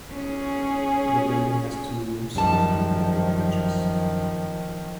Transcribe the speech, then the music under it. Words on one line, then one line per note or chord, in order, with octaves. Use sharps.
The building has two roofs with independent ridges.
C#4 G#4
F#2 D#3 F3 G3 A5